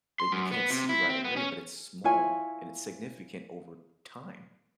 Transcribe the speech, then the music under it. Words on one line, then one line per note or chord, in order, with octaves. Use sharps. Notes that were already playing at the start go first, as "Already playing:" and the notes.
that you can't see right away, but it's small and it's significant over time.
C6
F#2
B3
C3
E4
C4
B3
C#4
E4 F4 C#5 G#5